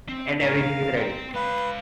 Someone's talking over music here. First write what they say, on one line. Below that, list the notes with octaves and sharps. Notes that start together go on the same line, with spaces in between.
And everything is ready.
C4
A2 A#4
F5
C4 G5
G#3 B4 F5